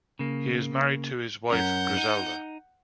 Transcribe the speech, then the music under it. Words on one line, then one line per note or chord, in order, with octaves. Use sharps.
He is married to his wife Griselda.
C#3 A#3
F#2 C#4 A#4 F#5 G6
D#4